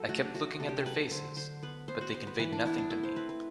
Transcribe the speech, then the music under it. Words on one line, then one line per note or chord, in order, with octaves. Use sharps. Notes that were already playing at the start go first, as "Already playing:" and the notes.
I kept looking at their faces, but they conveyed nothing to me.
Already playing: F#3 A4
A3 F#4
D4
A3 F#4
C3 A4
G4
A4
F#3 B4
D3 C5
D3 C5
B3 B4
B3 C5
F#4
B3 C5
B4
E3 B4
D4
B3 E4
D4
A3 E4
C5
C4 B4
B4